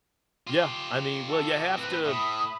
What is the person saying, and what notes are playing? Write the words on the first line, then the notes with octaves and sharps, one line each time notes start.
Yeah, I mean, well, you have to,
F4 G4
A4
A2 C4 B4
A2 E5 B5 D#6